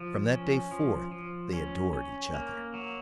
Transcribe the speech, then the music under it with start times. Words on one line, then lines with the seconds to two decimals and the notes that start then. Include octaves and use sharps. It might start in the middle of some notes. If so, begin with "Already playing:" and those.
From that day forth, they adored each other.
Already playing: F3
0.31 C#4
0.71 F3
1.12 F3
1.53 C#4
1.93 C#4
2.34 A#3
2.74 F#3